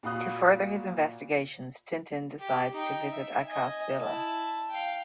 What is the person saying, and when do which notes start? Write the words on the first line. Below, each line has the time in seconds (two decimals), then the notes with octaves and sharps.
To further his investigations, Tintin decides to visit Akass' villa.
0.03 A#2 F#4 F5 B5 D#6 F#6
2.39 G4
2.74 D#4 G5
3.10 E5
3.48 D#5 G#5
4.00 E4 A5
4.70 F5 G5